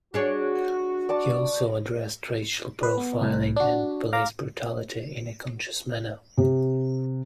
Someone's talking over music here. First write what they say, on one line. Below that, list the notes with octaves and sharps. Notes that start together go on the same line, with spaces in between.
He also addressed racial profiling and police brutality in a conscious manner.
D4 F#4 G#4 C#5
D5 A5 C#6
B4
B3
C2 A2
D4 F#4
F5 A#5 D6
C3